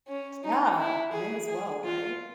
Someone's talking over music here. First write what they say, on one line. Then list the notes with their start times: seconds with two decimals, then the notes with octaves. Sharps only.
Yeah, may as well, right?
0.08 C#4
0.44 D#4
0.79 E4
1.13 G#4
1.48 G#4
1.83 F4